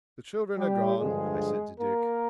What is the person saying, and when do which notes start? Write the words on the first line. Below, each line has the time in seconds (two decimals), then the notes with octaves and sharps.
"The children are gone," I said to Dick.
0.58 G3 G4
0.98 G2 D3 F3 G#3 G#4
1.78 A#3 A#4